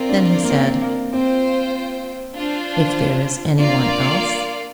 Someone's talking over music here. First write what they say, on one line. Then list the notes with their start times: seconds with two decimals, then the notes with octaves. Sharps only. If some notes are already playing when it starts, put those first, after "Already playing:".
Then he said: "If there is anyone else?"
Already playing: C4 F4 A#4 D5
0.09 D4
0.30 C4
0.43 A#3
0.50 C4
0.81 A#3
1.12 C4 F4 C5 G5
2.36 D4 F4 C5
3.59 A#3 D4 F4 D5 F5